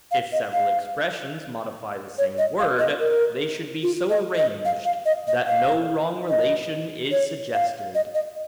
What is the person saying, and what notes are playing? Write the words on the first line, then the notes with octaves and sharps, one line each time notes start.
If several expressions modify the same word, they should be so arranged that no wrong relation is suggested.
F5
D#5
F5
C#5
D#5
F5
D#5
A#4
F4
D#5
D#5
F5
F5
D#5
D#5
F5
D#5
C#5
F5
D#5
D#5